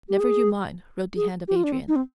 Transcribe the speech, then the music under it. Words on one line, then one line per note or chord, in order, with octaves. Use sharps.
"Never you mind," wrote the hand of Adrian.
G4
G#4
G#4
G4
F4
D4
C4
D#4
C4